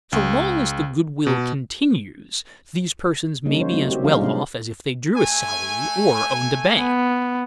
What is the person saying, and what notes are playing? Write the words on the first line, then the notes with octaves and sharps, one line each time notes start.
So long as the good-will continues these persons may be as well off as if they drew a salary or owned a bank.
C#2
B2
C#3 G3 A#3 C#4 D#4
C5 C#5
F#3 A3 C4 D#4
C4 G4
F3 G3 D4 D#4 G4 F5
C3 G3 G#3 B3 C#4 D4
A3 G#5
B3